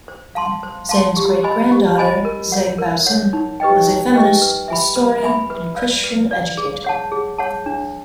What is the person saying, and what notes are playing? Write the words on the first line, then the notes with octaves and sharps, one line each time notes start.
Zeng's great-granddaughter, Zeng Baosun, was a feminist, historian, and Christian educator.
C5
F5 A5 C6
C5
F5 A5 C6
G4
C5 D#5 G#5 B5
G4
C5 D#5 G#5 B5
A#4
C#5 F#5
A#4
C#5 F#5
D#4
G4 B4 D#5 G5
D#4
G4 B4 D#5 G5
B4
E5 G#5 B5
B4
E5 G#5 B5
B4
D5 F5
B4
D5 F5
G#4
C#5 F#5 A5
G#4
C#5 F#5 A5
D4